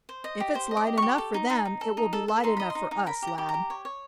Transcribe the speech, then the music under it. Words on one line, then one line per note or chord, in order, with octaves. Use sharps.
If it's light enough for them, it will be light enough for us, lad.
C5
D#5
G4
C5
D#5
D6
G4
G4 C#6
A4
D#4
D#4
D#4
A4
D#4
A4
A4
D#4 C6
D#5 B5
C6
D#4
D#4
A#4 B5
G4 A#5
G4
A#5
G4
C#5
C#5